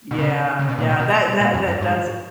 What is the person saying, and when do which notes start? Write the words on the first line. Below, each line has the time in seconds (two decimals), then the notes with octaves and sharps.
Yeah, yeah, that that that does
0.11 B2
0.19 C#3
0.59 C#3
0.69 B2
0.78 A#2
0.89 B2
1.00 B2
1.41 A#2
1.54 F2
1.68 F#2
1.81 G#2